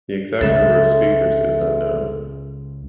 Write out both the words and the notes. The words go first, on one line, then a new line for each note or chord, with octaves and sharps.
The exact number of speakers is unknown.
C#2 C#3 G#3 A4 E5